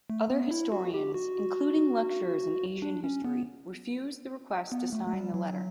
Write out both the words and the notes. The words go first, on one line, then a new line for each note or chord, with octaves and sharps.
Other historians, including lecturers in Asian history, refused the request to sign the letter.
A3
B3
E4
F#4
G4
F#4
D4
C#4
B3
B3
A3
A3
G3
F#3